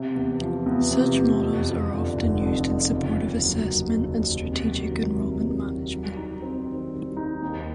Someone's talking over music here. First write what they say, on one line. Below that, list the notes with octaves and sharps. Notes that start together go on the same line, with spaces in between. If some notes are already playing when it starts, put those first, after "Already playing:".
Such models are often used in support of assessment and strategic enrollment management.
Already playing: C3
E2
F3
E2
C3
E2
F2
F3
D3
F1
F2
F3
C#3
D#2
F#3
D#2
C#3
D#2
C3
F#3
D#3
C2
C3
F#3
G3
D#4
C4
D#3
G3
D#4
D#2